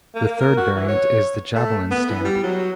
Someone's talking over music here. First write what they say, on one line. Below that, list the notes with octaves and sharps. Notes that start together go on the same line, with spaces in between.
The third variant is the Javelin Stamp.
A#3
A#4
F#4
E3
C#5
A3
B3
E3
G3
F#3